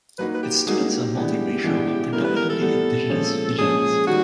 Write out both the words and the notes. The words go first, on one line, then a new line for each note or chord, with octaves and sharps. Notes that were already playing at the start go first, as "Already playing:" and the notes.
Its students are multiracial, but predominantly Indigenous Fijians.
F#3 A#3 D#4 F#4 B4
B4
G4
F#3 A#3 D#4 F#4 G#4
G4
E3 G#3 B3 D4
E3 G#3 B3 D4
A2 E3 G3 B3 A#4
B4
A#4
A4
A2 E3 G3 B3
A#2 F3 G#3 C#4
A#2 F3 G#3 C#4 G#4
D#3 G3 A#3 F#4